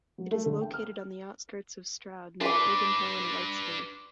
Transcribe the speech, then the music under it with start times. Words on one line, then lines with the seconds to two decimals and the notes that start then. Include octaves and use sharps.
It is located on the outskirts of Stroud near Paganhill and Whiteshill.
0.18 F#3
0.31 A3
0.46 D3
0.61 G5
0.74 F6
2.41 D4 B4 C6 D6